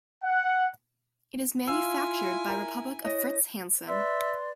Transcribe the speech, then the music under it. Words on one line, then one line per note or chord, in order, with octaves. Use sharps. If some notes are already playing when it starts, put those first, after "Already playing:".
It is manufactured by Republic of Fritz Hansen.
F#5
E4 F4 F5 G#5 E6
A#4
E4 C#5 D#5 A#6
B4 D5 E5 C6